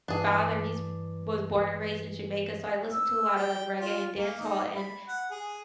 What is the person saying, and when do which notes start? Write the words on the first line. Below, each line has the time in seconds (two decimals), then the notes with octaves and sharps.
father, he's f was born and raised in Jamaica, so I listened to a lot of like reggae and dancehall, and
0.08 G2 E3 D4 G#4 B4
2.92 E6
3.36 G5
3.81 F4
4.18 A#3
4.40 D#4
4.76 B5
5.08 F#5
5.31 G#4